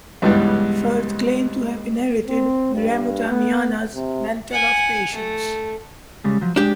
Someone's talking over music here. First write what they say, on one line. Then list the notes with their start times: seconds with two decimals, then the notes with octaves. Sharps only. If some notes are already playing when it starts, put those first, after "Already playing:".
Firth claimed to have inherited Wiremu Tamihana's "mantle of patience".
0.22 C#2 G2 C#3 E3 G3 B3
2.28 C4
2.75 G2
3.30 B3
3.94 C3
4.50 F#5 G#5
5.12 A3
6.24 C#3 G3 G#3
6.41 F3 F#3
6.56 G#3 D4 G4